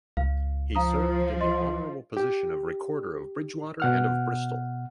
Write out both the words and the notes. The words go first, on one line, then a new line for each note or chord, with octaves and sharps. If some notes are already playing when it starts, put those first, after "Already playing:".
He served in the honourable position of Recorder of Bridgwater and of Bristol.
C#2 F5
F3 F5 A#5 D#6
D#5 C6
G4
B2 F#5 F6